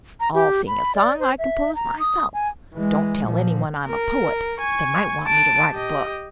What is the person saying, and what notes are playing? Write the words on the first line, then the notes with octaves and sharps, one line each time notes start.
I'll sing a song I composed myself. Don't tell anyone I'm a poet; they might want me to write a book.
A#5
G4
B5
D5
C5
E5
A#5
D#6
G#5
E3 G#3
A#2 F3
A#4
G#5 C#6
A5 D7
G4 D#5